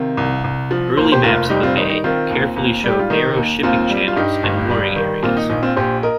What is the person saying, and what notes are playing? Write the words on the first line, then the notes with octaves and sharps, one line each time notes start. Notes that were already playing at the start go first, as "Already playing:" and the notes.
Early maps of the bay carefully show narrow shipping channels and mooring areas.
Already playing: C3 D#3 F5
C2
C2
F3
D#2 C5
A#4
G4 C5
F1 F4 A#4
G3 D#4 G4
C4 F4
D#3 D#4
D#4
D#3 C4 F4
D#2
D#2
G3 G4
F4
D#3 D#4
D#2
D#2 C4 F4
G3
F4
G2 D#4 G4
G1
G3
D#3
A#2 C4 F4
D#4
A#1 D#4
C4 F4
A#1 G4 C5
A#4 D#5